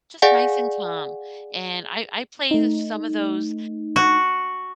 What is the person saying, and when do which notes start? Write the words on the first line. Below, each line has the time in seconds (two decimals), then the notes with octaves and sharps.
Just nice and calm, and I I play the some of those
0.22 G#4 D5 F5 F#5 G#5
2.51 A3 D#4
3.96 F#4